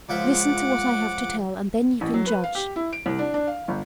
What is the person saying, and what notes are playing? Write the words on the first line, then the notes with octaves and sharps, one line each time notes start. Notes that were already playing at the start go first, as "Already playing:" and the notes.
Listen to what I have to tell and then you can judge.
C#2 F3 E5 F#5 D6
A1
F#3
B4
F5
G4
E4
D7
C2
D4
D4
F5
G1